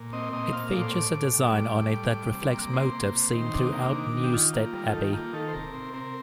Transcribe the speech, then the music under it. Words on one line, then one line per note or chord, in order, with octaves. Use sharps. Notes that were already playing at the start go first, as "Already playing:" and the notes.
It features a design on it that reflects motifs seen throughout Newstead Abbey.
Already playing: A#2
C4 D#5
A#2 D#5
A#2 F5
A2 D5
C5
A2 D5
A2
G3
G3 D5
A2
G3
G3
C3
A#3
C3 C5
A#3
C3
D#3
C3 D4
D#4
A#3
D4
D#3
D#3
G4
D#3 F4
A#3
G3 A#4
D#3 A4
G4
A#3 F4
D#3 A4
C5
C3 A#4
C4
C4 A#4